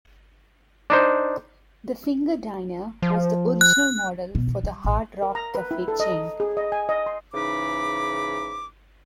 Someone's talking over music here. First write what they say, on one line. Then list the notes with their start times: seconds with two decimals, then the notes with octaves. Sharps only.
The Finger Diner was the original model for the Hard Rock Cafe chain.
0.90 D4 D#4 C5
3.02 F3
3.61 F#6
4.35 B2
4.48 D#3
4.64 G3
4.84 A1
5.22 A#4
5.35 A#5
5.55 B4
5.71 E4
5.88 A4
6.00 D#5
6.12 A#5
6.40 G#4
6.57 D#5
6.72 G#5
6.89 D#5
7.06 C6
7.34 G#2 C#3 E3 D#4 B5 D6